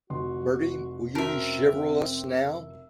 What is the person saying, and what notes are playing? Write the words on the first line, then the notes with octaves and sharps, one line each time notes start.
Bertie, will you be chivalrous now?
F1 F#4 C6
C4 C#4 F#4 A#4 E5 A5